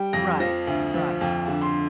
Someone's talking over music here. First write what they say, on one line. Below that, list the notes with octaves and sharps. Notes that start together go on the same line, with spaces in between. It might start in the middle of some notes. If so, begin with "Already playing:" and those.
Right. Right.
Already playing: G3 G5
F2 A#6
F3 A#6
D2
F3
F2
D3
C6